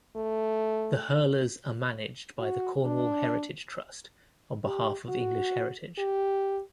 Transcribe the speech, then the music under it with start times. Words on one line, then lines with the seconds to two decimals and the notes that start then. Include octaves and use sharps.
The Hurlers are managed by the Cornwall Heritage Trust on behalf of English Heritage.
0.16 A3
2.40 F#4
2.85 D4
4.64 G4
5.09 F#4
5.98 G4